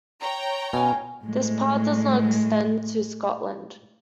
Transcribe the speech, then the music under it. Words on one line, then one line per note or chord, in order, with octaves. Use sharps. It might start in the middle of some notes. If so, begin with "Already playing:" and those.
This Part does not extend to Scotland.
C#5 G5 A#5
B2 C#4 F5 G#5
A2 G#3